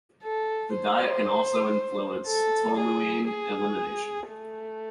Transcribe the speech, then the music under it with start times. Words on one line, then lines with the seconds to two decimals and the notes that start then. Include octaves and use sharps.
The diet can also influence toluene elimination.
0.23 A4
0.74 C5
2.27 A4
2.78 G#4
3.28 G#4
4.31 A3